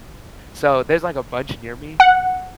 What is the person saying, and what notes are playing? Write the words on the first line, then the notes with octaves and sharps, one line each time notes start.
so, there's, like, a bunch near me,
F#5